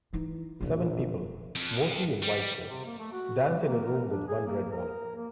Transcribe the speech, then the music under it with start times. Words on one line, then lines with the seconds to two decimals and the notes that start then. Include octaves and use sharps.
Seven people, mostly in white shirts, dance in a room with one red wall.
0.13 E3 D#4 E4
0.61 E1 A#1 A#2 D#3
1.55 F2
2.23 G3
2.68 C3
2.84 A#3
2.99 A3
3.12 F#4
3.48 G3
3.65 A#3
3.85 A#4
4.11 D4
4.27 G#4
4.47 A#3
4.71 A#4
5.16 A#3